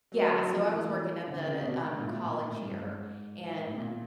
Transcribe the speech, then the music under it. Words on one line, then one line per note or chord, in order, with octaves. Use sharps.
Yeah, so I was working at the, um, college here, and
F#3
F#3
F3
E3
E3
D3
C#3
B2
C3
G#2
A#2
A2
A#2
A2
G2
G2
G#2
A2
A#2